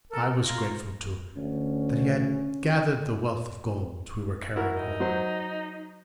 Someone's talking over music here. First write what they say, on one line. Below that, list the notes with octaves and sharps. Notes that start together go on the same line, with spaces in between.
I was grateful, too, that he had gathered the wealth of gold we were carrying home.
A4 A#4
F4 A#5
D2 C#4
E4 F#4 A#4
D#4
F#3 C5